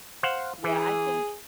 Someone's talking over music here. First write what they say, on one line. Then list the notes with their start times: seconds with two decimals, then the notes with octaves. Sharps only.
Yeah, I think,
0.23 C5 F5 F#5
0.64 E3 G#4